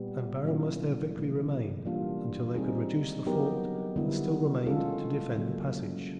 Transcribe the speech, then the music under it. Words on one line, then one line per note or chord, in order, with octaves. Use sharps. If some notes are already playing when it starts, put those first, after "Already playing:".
And barren must their victory remain until they could reduce the fort that still remained to defend the passage.
Already playing: A#2 G3 B3
A#2 F#3 A#3 C#4 E4
C3 E3 A3
E3 G3 A#3 D4 F4
G3 C4 D#4 G#4
F#3 B3 D#4 G4 A#4
D3 G3 B3 E4
G#3 C#4 F4 A4
C#3 F#3 A#3